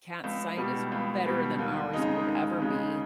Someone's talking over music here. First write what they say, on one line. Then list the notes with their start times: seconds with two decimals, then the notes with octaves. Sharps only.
cat's sight is better than ours would ever be,
0.24 C#2
0.57 B2 G3
0.92 C#2
1.25 B2 G3
1.59 D#2
1.93 C#3 G#3 D#4
2.27 D#2
2.60 C#3 G#3 D#4